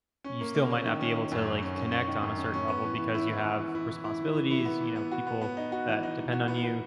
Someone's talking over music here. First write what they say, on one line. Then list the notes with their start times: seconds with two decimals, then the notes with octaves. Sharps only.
you still might not be able to, like, connect on a certain level because you have responsibilities, you know, people that depend on you,
0.24 C#4
0.41 A#3
0.55 A#3
0.70 C#4
0.86 D#3
1.01 C#4
1.16 C#4
1.32 F#2
1.47 F#2
1.62 C#4
1.77 C#4
1.92 C#4
2.08 D#3
2.23 F#2
2.38 C#4
2.54 C#4
2.68 B3
2.83 E3
2.98 E3
3.14 E4
3.29 E3
3.44 E3
3.59 E3
3.75 E4
3.90 E3
4.04 E4
4.20 E3
4.35 E3
4.51 E4
4.65 B3
4.80 E3
4.96 B3
5.11 F#4
5.27 B3
5.41 B3
5.57 D#4
5.72 F#4
5.88 E3
6.03 D#4
6.18 D#4
6.32 F#4
6.48 B3
6.63 B3